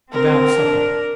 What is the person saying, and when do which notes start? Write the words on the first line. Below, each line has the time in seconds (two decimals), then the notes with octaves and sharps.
"About supper."
0.13 C4 A#4
0.56 D4